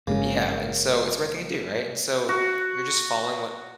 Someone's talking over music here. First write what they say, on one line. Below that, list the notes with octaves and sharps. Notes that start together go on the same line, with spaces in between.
Yeah, and so it's the right thing to do, right? And so, you're just following what
G1 C#3 G#3 A#3 C#4 G#4
F#4